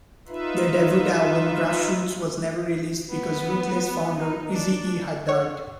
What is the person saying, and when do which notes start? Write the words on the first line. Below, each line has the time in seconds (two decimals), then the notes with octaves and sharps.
Their debut album, "Grass Roots", was never released because Ruthless founder Eazy-E had died.
0.28 D#4 F4 B4 E5
3.10 B3
4.19 D#4
4.52 D4
5.29 C#5